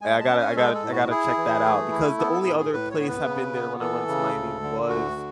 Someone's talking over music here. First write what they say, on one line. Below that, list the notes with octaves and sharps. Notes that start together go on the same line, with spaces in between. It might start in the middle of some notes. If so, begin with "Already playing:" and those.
Hey, I gotta I gotta I gotta check that out because the only other place I've been there, when I went to Miami, was
G#3 G#5
A5
C#4
G#5
G#3 A4
A4
A2
F#4
E4 G#4
E3
A3
E4
B3 A4
A4
A2 G#4
G#4
A2 B4
C#5
B3
B4
C#3
B3
E3 A4
C#3
D2
D3
D2 F#4
D3